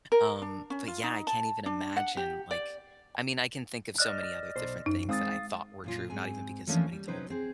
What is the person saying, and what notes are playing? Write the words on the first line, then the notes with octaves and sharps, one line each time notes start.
um, but yeah, I can't even imagine, like I mean, I can think of so many other different things that I thought were true, not even because somebody told the
A#4
D4
C#4
F4
D#4
A5
D4
F#5
G4
D5
D5 D#5 F6 F#6
B1 C5
F#2 D#4
G#3 C4 F5 D#6 A6
F#2 A#2 F4
G#2 C4 G#5
E3 F3 A3 A#3 C#4 D4
G3
C3 F#3 C#4 D#4 B4 C5
C4 G#4